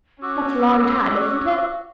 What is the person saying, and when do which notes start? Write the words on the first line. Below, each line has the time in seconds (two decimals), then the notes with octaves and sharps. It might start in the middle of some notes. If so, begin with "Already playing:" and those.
That's a long time, isn't it?
0.22 C#4 F#4 D6 E6